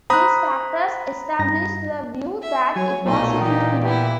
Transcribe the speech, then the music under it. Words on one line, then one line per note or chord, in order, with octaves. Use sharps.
These factors established the view that it was a "movement".
C5 A#5 B5 D#6 F#6
G2 A#6
E5
F#3 C#5 G#5
B1 A#2 A3 D#4 D#5
E3 D#4 G4
B3 E4 G4